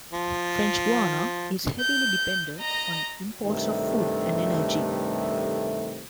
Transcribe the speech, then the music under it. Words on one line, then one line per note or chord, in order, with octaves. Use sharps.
French Guiana is heavily dependent on imports of food and energy.
F3
G6
D#5 A#5
G2 C3 D#3 A3